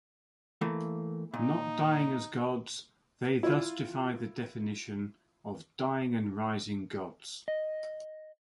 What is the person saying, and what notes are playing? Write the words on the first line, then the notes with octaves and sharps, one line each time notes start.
Not dying as gods, they thus defy the definition of "dying-and-rising-gods".
E3 A3 A#3
A#2 D#4
E4 F4
D#5